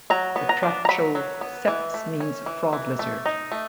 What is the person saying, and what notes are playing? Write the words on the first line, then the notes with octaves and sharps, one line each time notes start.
Batracho-seps means frog-lizard.
F#3 A#5
B3
A#5
D4
A#5
F#3 B5
F#3
B3
E3
A3
C#4
E3
E3
A3
D#4
A3